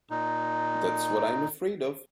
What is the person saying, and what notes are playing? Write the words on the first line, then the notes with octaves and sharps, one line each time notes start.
That's what I'm afraid of.
A#2 D#4